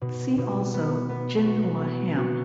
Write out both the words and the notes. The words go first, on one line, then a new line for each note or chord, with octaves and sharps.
"See also Jinhua ham".
B2
B2
B3
B3
F#4
B3
F#4